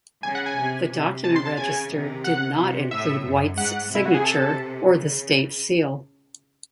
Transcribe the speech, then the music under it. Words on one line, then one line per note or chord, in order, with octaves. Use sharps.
The document registered did not include White's signature or the State Seal.
C#3 G#5
F#5
G#5
C3
C3
C3 D#3 A5
C6
A5
C#3 G#5
C3 D#3
F#5
C3
A2 E5
F#2
G#2 F#5
C3 E4
F#4
G#4
A4
C#3